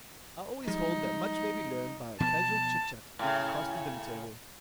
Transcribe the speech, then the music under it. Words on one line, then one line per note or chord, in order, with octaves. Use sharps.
I always hold that much may be learned by casual chit-chat across the dinner-table.
F3 G3 G#3 D#4
B2 F3 B3 A5
A2 C#3